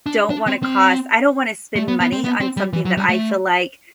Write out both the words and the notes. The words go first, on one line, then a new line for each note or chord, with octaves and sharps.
don't want to cost I don't want to spend money on something that I feel like
D4
D4
C4
C4
A3
B3
B3
C4
B3
C4
G3
E3
F#3
G3
A3